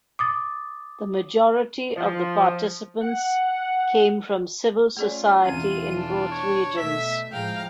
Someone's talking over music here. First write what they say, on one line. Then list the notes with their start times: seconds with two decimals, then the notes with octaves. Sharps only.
The majority of the participants came from civil society in both regions.
0.19 D6 D#6 A6
1.96 F3
3.02 F#5
4.97 A3 C#4 F4 G#4 D5
5.46 E2 B2 E3 C4 C#4 D#7
5.98 D4
6.31 C#5 C#6
6.77 B2 A3 E5 B6
7.32 A2 F3 G#3 F5 G5 A#5